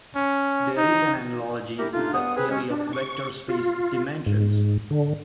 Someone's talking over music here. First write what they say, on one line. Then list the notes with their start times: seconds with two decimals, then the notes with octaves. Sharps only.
There is an analogy with the theory of vector space dimensions.
0.16 C#4
0.77 D#4
1.79 E4 G4 A#4
1.94 A3 D4 D#4 F4
2.14 G2 B3 F#5 D#6
2.36 C4 G#4 B4
2.49 G#3 C#4
2.70 D4
2.93 C#6
3.49 F4
4.26 G#2
4.91 D3